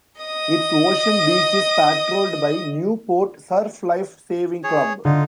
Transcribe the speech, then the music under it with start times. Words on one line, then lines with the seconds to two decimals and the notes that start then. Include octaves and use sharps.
Its ocean beach is patrolled by Newport Surf Life Saving Club.
0.21 D#5 D#6
4.64 G#4 C#5
5.05 D3 D#4 F4